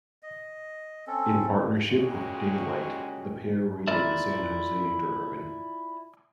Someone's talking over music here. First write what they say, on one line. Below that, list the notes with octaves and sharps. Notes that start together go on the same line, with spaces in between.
In partnership with Daylight, the pair raided the San Jose Interurban.
D#5
C4 C#4 A4
A#2 C#3 G#3 C#4 F#4 G4
E4 F4 A#4 D5 E5